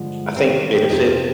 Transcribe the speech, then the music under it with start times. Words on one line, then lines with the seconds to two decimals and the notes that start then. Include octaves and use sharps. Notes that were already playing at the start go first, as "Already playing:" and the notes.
I think, benefit
Already playing: G2 D3 F3 G#3
0.36 D#3 G3 B3 C4
0.49 D4
0.76 G4
0.89 F2 C3 F3 D#4
1.07 F4